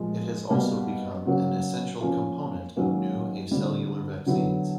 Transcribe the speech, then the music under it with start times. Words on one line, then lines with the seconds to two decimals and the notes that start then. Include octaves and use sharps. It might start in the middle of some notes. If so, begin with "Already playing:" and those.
It has also become an essential component of new acellular vaccines.
Already playing: A#2 F3 G#3
0.50 B2 G3 A#3
1.26 C#3 F#3 A#3
2.01 F3 A#3 C#4 F4
2.76 D#3 F#3 A#3 C#4
3.51 D3 G3 C4 F4
4.26 D3 F#3 B3 E4